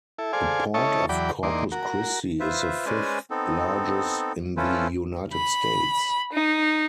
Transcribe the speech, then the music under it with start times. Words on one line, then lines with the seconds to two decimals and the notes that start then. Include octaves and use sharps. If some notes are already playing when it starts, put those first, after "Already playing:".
The Port of Corpus Christi is the fifth-largest in the United States.
0.18 E4 A4
0.33 G#4 A4 C5 D5 F5 G#5
0.74 C#4 E4 A4 C#5 D#5 A5
1.09 E2 F#3 D5 G5 B5
1.43 E2 A#3 D#4 D5 C6
1.72 F#4 A#4
2.40 F4 B4 C5 E5
2.86 G#3 C#4 B4 C5 D5 G#5
3.31 B3 C4 D#4 A4
4.57 C#4 E4 F4 A4 B4 C5
5.33 B5
6.32 D#4